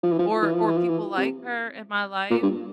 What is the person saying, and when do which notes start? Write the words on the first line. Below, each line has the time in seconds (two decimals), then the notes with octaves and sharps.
or or people like her in my life,
0.03 F3
0.12 E3
0.19 F3
0.42 E3
0.54 F3
0.65 E3
0.77 F3
0.89 E3
1.17 C3
2.31 A#2
2.43 G2